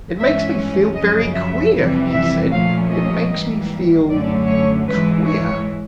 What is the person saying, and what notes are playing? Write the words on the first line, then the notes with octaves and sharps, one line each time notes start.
"It makes me feel very queer," he said; "it makes me feel--queer!"
G2 E3 G#3 C#4 E5
F#2 C#3 F3 D#5
E5
F2 C3 E3 G3
E5
A#2 F3 A3 C#4 F5
D#5
G#2 E3 G3 A#3
F#2 D3 F#3 A3 C#4 D5
C#5
G#2 E3 G#3 B4
C#5